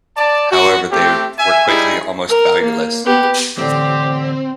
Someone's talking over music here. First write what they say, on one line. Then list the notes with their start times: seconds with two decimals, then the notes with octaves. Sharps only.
However, they were quickly almost valueless.
0.17 D5 A5
0.51 F#4
0.91 A3 C4 G4
1.38 E5 G#5
1.68 G3 D#4 E4 G#4
2.29 A#4
2.62 A#3
3.05 B3 G4
3.58 A1 D3 C4 G4